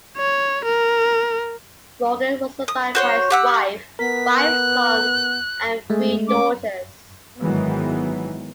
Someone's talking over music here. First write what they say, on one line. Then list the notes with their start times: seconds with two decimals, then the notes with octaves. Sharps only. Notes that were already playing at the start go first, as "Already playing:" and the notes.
Morgan was survived by his wife, five sons and three daughters.
0.18 C#5
0.65 A#4
2.68 D#6
2.95 F#4 C5 C#5
3.30 G4 F#5 E6
3.99 B3 A#4 B6
4.36 F#6
5.90 G#3 A3 G#4
6.27 C#4 D6
7.40 G#1 D#3 E3 F#3 G#3 B3